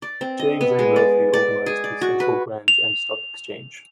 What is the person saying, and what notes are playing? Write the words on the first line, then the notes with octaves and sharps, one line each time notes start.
James A. Murphy organized the Central Grange and Stock Exchange.
D5
C4
D#5
B3
G#3
D5
D5
G#4
D5
F#4
B4
F7